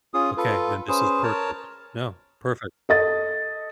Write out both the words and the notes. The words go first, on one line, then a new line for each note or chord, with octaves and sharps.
Okay. Then this is perfect. No. Perfect.
C#4 F4 G#4 D#6
F4 A4 B4
C#4 G#4 B4 C5
A#4 C#5 A5
A4 D#5 A6